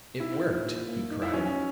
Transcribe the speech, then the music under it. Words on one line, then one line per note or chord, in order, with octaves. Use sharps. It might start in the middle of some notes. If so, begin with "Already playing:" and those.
"It worked!" he cried.
D#4 E4
A#2
A#2
A#3
D#4
E4
F#3 C#4
C#4
F#4